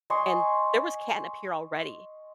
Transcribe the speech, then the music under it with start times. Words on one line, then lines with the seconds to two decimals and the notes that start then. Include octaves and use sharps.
and there was catnip here already
0.10 D#5 G#5 C6 C#6